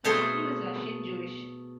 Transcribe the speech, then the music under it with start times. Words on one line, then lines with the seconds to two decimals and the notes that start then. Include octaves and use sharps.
Her family was Russian Jewish.
0.04 B2 A3 G#4 C5 C6